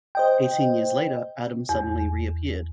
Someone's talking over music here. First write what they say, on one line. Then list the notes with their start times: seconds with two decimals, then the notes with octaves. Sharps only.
Eighteen years later, Adam suddenly reappeared.
0.15 C5 D#5 G5
1.69 E2